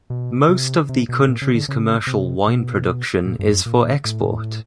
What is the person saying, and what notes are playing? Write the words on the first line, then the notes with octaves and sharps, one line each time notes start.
Most of the country's commercial wine production is for export.
B2
C3
C3
B2
A#2
C#3
D3
C#3
C3
B2
A#2
G2
F#2
A#2
A2